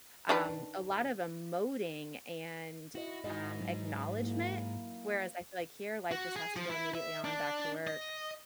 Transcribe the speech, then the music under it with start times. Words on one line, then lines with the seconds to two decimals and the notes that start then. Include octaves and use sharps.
um, a lot of emoting and, um, acknowledgment. Whereas I feel like here, life just has to go immediately on back to work.
0.29 D#3 D4 B4
2.95 E4 F#4 D#5
3.24 G#2 D#4 F#4 D#5
3.61 F#3
4.22 A#3 E4
6.11 F#4
6.36 G#4
6.56 F3
6.70 E4
6.95 E5
7.24 D4
7.87 D#5